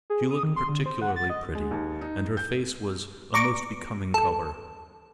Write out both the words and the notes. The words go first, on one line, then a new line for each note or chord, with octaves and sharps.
She looked particularly pretty, and her face was a most becoming color.
G#4
D#6
D#3
C6
D3
C5
F#5
A6
D#5
G#3
D#2
D#4
G6
D5 A#5 C#6 D6
A4